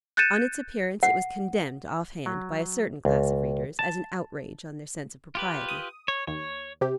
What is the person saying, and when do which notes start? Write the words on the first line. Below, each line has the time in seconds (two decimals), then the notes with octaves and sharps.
On its appearance, it was condemned off-hand, by a certain class of readers, as an outrage on their sense of propriety.
0.17 F#6 G6 A6 C#7 D#7 E7
1.03 F#5
2.26 F#3
3.05 C#2
3.79 A5
5.35 F4 G4 B4
5.69 D#6
6.08 C#5
6.27 D#2 C#5
6.81 C3 G4